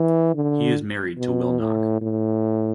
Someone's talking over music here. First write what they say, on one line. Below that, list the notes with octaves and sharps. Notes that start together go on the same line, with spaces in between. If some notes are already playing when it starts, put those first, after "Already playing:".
He is married to Will Knock.
Already playing: E3
D3
B2
A2
A2